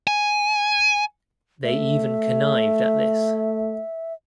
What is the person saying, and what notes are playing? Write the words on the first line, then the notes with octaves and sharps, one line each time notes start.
They even connived at this.
G#5
A3 E5